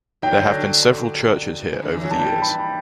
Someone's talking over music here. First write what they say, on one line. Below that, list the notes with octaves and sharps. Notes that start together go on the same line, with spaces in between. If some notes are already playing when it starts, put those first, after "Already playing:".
There have been several churches here over the years.
F#3 G5
G3
D3 F#3
C3
D3
E3
F#3
E3 G3 A5
B5